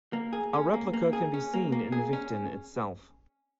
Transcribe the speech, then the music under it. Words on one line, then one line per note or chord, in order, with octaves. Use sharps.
A replica can be seen in Vichten itself.
A#3
G#4
C#4
A#3
A#3
G#4
C#4
A#3
A#3
G#4
C#4